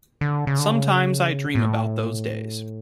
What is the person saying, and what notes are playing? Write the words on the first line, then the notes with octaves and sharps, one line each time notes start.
Sometimes I dream about those days.
D3
C#3
D3
C#3
A2